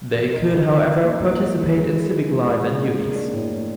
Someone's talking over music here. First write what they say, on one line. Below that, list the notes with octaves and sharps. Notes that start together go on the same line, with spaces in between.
They could however participate in civic life and duties.
F3
D#4
D#4
F3
D#4
A#3
F3
F3
E3
G#3
E3
E3
G#3
G#3
G#3
G#3
A#3
D4
A2
A2